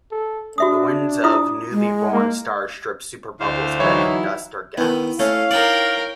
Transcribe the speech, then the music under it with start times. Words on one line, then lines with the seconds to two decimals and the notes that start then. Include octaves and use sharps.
The winds of newly born stars strip superbubbles of any dust or gas.
0.12 A4
0.58 D4 F#4 E5 D#6
1.24 E4 F4 D#6
1.72 G#3
2.13 A#3
3.40 D2 E4 C5 F5
3.80 E3 F#3 D#4 E4 C#5
4.78 D#3 B3 E4
5.19 A3 C#4 C#5 F5
5.51 D#4 A#4 C#5 D5 G5